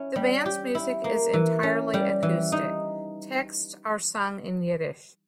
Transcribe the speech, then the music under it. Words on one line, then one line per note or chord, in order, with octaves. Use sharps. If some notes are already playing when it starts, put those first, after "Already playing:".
The band's music is entirely acoustic; texts are sung in Yiddish.
Already playing: C#4 E4
G3
G4
E4
A#3
E3
C#4
G3
E3
D#4